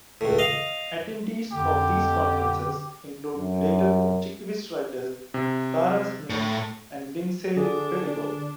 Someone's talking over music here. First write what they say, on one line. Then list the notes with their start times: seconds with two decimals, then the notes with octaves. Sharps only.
Attendees of these conferences include later Objectivist writers Tara Smith and Lindsay Perigo.
0.21 C#2 A2
0.39 D#5 F5
1.52 F2 D3 G4
3.34 F#2
5.34 C3
6.30 A2
7.57 D3 D4 G#4 D5